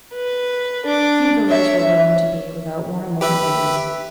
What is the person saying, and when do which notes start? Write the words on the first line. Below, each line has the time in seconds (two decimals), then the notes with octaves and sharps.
Few villages were willing to be without one or more of these.
0.14 B4
0.86 D4 D6
1.48 C#5 E5
3.21 G4 B4 E5